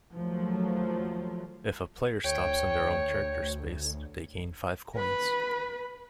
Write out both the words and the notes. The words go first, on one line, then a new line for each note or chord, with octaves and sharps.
If a player stops on their own character space, they gain five Coins.
D#2 F3 F#3 A3
D2 C#5 G5
B4 B5